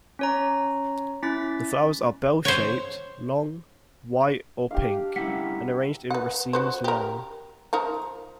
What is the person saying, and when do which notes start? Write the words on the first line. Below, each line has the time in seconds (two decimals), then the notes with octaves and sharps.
The flowers are bell-shaped, long, white or pink, and arranged in racemes long.
0.19 C#4 C#5 A#5
1.23 C#4 E4 A6 B6
2.45 C5 C#5
4.71 D4 G4 F5
5.16 G3 C#4 E4 F#5 B6 C#7
6.10 B4 F#5
6.53 F#4 B4 C5
6.84 G4 A#4
7.73 F3 D#4 A#4